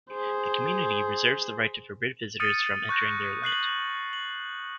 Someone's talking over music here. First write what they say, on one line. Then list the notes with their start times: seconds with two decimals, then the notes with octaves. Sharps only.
The community reserves the right to forbid visitors from entering their land.
0.11 G#4 C5
2.40 D#6 F6 G6 A6 C#7 D#7
2.89 C#6 F#6 G6 A#6
3.44 F#6 C7 F#7
4.13 F#7